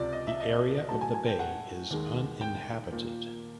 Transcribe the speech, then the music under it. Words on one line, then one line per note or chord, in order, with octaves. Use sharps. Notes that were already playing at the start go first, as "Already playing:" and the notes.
The area of the bay is uninhabited.
Already playing: C#2 C3 F3 D5
D#5
E5
D#5
A2 F#3 A3 A5
G#5
G#5
G5
F#5
D#2 D#3 G#3
G5
A#2 F3 A#3